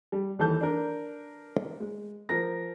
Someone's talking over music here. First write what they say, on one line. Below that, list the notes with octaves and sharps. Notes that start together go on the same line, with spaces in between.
Sometimes several towns united to hold one in common.
G3
D#2 E3 A4 A5 G6
D4 A#4
G#3
F3 A#4 A#6